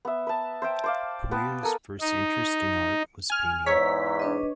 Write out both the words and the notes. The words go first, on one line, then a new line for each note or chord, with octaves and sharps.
Puiu's first interest in art was painting.
B3 E5
B4 A5
C5 E5 G5
C5 D5 F5
B3 B4 G5 A5
A4 A#4 G#5
D#4
G#5 F6
E2 G#2 C#5 A#5 E6 B6
D4 B4 D#5